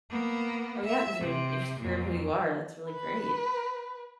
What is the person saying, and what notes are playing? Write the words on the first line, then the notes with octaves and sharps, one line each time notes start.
Oh, yeah, ‘cause you're you're secure of who you are, that's really great.
A#3 B3
E5
C3
F2 A#2
B4